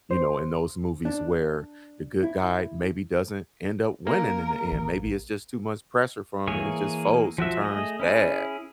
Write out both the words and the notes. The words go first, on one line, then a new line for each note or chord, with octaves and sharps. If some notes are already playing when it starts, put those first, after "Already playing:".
you know, in those movies where the good guy maybe doesn't end up winning in the end, maybe it's just too much pressure for him and he just folds and turns bad,
C5
D4
E4
A#3 A#4
A1
E3 A#3 G#4 C#5 C#6
F3 F#4 E5
A3 G#4 D#5
C#4 E4 G#4